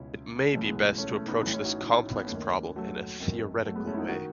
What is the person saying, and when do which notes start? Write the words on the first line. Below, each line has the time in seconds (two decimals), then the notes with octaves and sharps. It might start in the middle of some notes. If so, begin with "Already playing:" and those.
It may be best to approach this complex problem in a theoretical way.
Already playing: C#2 B2 C#4 E4
0.53 B1 A2 E3 A3 C#4
0.64 G#3 B3
0.76 G#3
0.98 A3 C#4
1.12 A3 C#4
1.28 B3 D#4
1.42 A1 A2 E3 C#4 E4
1.53 C#4 E4
1.64 D#4 F#4
1.86 D#4
2.00 C#4
2.12 B3
2.25 A3 C#4
2.32 D#2 D#3
2.76 F#3 A3
3.19 G#1 F#2 D#3
3.65 F#3 A3
3.75 G#3 B3
3.87 A3 C#4
3.94 E4
3.97 B3 D#4
4.09 D#3 D#4 F#4